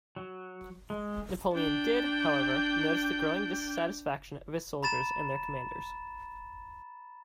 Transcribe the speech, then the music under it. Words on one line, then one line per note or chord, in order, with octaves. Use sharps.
Napoleon did, however, notice the growing dissatisfaction of his soldiers and their commanders.
F#3
G#3
D4 G5
A#5 B5 A6 E7